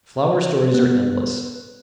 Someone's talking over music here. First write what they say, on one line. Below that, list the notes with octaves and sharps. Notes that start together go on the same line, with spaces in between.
Flower stories are endless.
B3